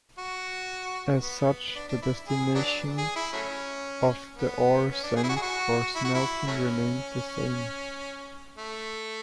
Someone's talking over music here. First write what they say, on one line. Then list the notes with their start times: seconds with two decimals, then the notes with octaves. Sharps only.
As such, the destination of the ore sent for smelting remained the same.
0.18 F#4
1.23 B3
1.75 D4
1.88 D4
2.02 E4
2.28 G#4
2.55 F#3 B3 D4
2.98 G#4
3.16 E4
3.33 F#3 A3 C#4
4.37 B3
4.91 C#4
5.03 D4
5.16 G#4
5.24 E4
5.29 F#4
5.36 G#4
5.42 F#4
5.95 E4
6.05 F#4
6.14 E4
6.47 F#3 A3 C#4
8.57 A3